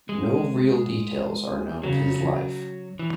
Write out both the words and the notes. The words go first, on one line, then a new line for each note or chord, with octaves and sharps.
No real details are known of his life.
G#3
C#3 F#3
E3